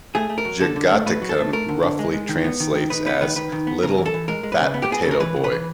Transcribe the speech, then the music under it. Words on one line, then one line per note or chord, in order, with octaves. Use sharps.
Jagata-kun roughly translates as, "little, fat potato boy".
A3 G#4
A3
A#4
F#3
D3 A4
D3
A3
A3 B4
F#3
A4
A3
A3 A#4
D3
D3
G#3
G#3
D#3
B3
D#3
D#3
D#3 B4
B3 B4
D#3 B4
D#3 B4
D#3
B3
C#3 A#4
E3
A4
E3
G#3 A#4
G#3
B4
C#3
B3
G4
B3 G#4
C#3 A4
A#4
E3 B4
C#3
B4
E3